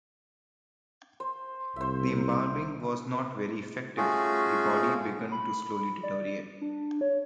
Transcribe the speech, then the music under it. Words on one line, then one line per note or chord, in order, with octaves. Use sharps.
The embalming was not very effective; the body begun to slowly deteriorate.
C5
C2 C5 E5
A3 C#4 F4 F#4 G#4
B5
D5
D4
C#5